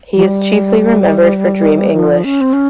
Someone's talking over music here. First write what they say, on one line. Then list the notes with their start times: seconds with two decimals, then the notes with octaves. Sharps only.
He is chiefly remembered for Dream English.
0.16 F3
0.24 G3
1.96 F3
2.24 C#4
2.41 C4
2.53 C#4